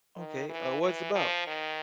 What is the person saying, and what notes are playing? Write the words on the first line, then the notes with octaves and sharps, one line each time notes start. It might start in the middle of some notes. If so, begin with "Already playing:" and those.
Okay, uh, what it's about?
D#3
E3
E3
F3
D#3